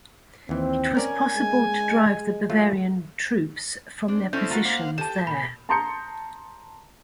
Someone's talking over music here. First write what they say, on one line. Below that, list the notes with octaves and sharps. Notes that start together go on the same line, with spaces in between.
It was possible to drive the Bavarian troops from their positions there.
D#2 E3 C4
C#4 A#4 D5 G#5
G#3
F#3 A3 F4
C4 D4
C4 C#4 E4 A4 C5 G6
A#3 F4 F#4
A#3 C5 F5 F#5
G4 A4 C5 A5 E7
A#2 B5
A5 A#5 C6 D#6 G6 C#7